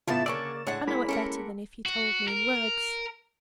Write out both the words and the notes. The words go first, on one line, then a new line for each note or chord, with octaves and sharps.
I know it better than if you told me in words.
A2 C#3 E3 B3 E4 F4 A6 E7
D3 A#3 C4 C#4 D5 C#6 E6
A2 G#3 D4 C#5 F#5
G#3 A#3 E4 B6
C#4 A4 A#4 F#5
F#4
A#4